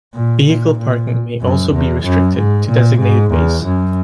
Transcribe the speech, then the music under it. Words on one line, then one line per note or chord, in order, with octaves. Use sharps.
Vehicle parking may also be restricted to designated bays.
A#2
A#2
A#2
F#2
E2
F#2
G#2
A#2
G#2
E2
F#2